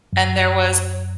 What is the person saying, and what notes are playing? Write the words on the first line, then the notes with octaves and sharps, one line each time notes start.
and there was
F#2